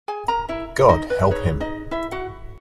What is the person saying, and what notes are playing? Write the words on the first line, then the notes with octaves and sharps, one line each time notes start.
God help him!
G#4 G#5
A#4 A#5
E4 E5
D#4 D#5
B4
D#4 G#4 B4 C#5
D#4 D#5
E4 E5
F#4 F#5